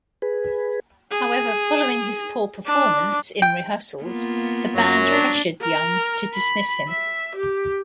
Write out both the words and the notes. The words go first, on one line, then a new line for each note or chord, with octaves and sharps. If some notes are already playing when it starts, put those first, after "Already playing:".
However, following his poor performance in rehearsals, the band pressured Young to dismiss him.
G#4 B4
G#4
D4
G5
A#3 B3 F4
F#2 F#3
D4
A#4
B5
E5
G4